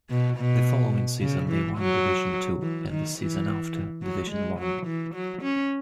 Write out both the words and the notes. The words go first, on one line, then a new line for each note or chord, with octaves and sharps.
The following season they won Division Two, and the season after, Division One.
B2
B2
C#3
E3
F#3
E3
D#3
E3
F#3
G#3
F#3
E3
F#3
C#4